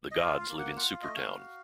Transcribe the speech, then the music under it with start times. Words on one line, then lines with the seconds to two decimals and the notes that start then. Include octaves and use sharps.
The gods live in Supertown.
0.11 D#5
0.22 F4 F5
0.40 F5
0.49 A#3
0.58 F#5
0.76 F4 F#5
0.90 F5
1.02 A3 D#5
1.16 F5
1.31 F#4